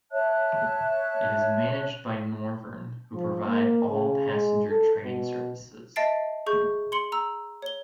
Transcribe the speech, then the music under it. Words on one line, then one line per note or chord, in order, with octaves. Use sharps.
It is managed by Northern, who provide all passenger train services.
C#5 E5 A5 F#6
F3
A#3
C#3
G#3
A4
B2
D#5 E5 A5 A6 C7 D7
G#4 C#6 G6
C6 C#7 F#7
A#5 E6
C#5 G7